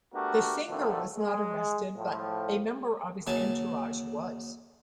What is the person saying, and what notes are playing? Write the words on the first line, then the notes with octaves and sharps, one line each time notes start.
The singer was not arrested, but a member of his entourage was.
A3 B3 D4 F#4 G4 A#4
B2 D3 D#3 F3 A3
G#3
A2 F3
D#2 C#3 E3 F#3 G#5 A5